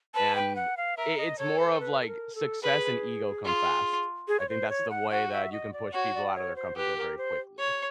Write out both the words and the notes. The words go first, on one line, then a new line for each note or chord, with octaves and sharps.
and it it's more of, like, success and ego come fast. I think that's the way that you can push people outta their comfort zone very quickly,
B4 A5
G5
F#5
F5
A#4 E5
D#5
A4 C#5
C5
B4
A4
A#4
A4
G#4 B4
F4
G#4
C#5
C5
C#5
F#5
F#4 F#5
E5
D#5
D5
F#4 C#5
D5
C#5
C5
G4 B4
A#4
C5
C#5